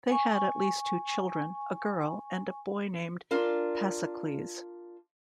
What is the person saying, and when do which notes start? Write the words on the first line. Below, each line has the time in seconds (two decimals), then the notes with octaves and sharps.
They had at least two children, a girl, and a boy named Pasicles.
0.09 G#5 C#6
3.31 D4 F4 A#4